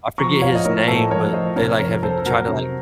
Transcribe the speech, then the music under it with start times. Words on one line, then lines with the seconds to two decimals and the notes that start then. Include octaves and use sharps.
I forget his name, but they, like, have it try to, like
0.18 F3 A#5 C#6
0.42 F3 C#5 F5
0.55 D#5
0.65 A2 A#4 C#5
0.88 A2 A4 C5
1.10 F3 A#4 C#5
1.33 F3 C5 D#5
1.56 C3 A#4 C#5
1.79 F2 A#4 C#5
2.03 F2 A4 C5
2.18 A4
2.25 F#3 F#4 A#4
2.48 C3